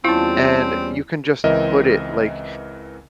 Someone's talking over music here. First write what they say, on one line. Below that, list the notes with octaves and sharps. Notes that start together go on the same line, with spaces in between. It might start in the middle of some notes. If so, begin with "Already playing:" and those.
and you can just put it, like,
E2 G3 C4 C#4 E4 F4 A5
C#2 E3 C4 A#4 D#5 E5